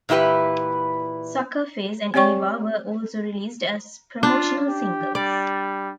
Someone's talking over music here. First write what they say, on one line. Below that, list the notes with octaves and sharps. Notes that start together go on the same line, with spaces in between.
"Suckerface" and "Eva" were also released as promotional singles.
A#2 E3 E4 G4 B4
C4 G4 C#5 D5 G5 C#6
D4 F4
G4
G3 D5